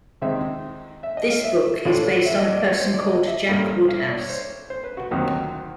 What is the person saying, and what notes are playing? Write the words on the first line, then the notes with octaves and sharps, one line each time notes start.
This book is based on a person called Jack Woodhouse.
C3 D#3 G#3 C4 D#4 E5
E5
D#5
F5
E5
A2 E3 A3 D4 F4
E5
D#5
D5
C#5
C5
D5
D#5
E5
G2 D3 G3 A#3 C#4
F5
E5
D5
C#5
C5
C5
B4
F#4
D2 C3 D#3 F#3 A#3